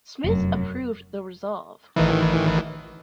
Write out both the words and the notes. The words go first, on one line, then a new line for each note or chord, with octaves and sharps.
Smith approved the resolve.
F1 F#2
A1 D#3 E3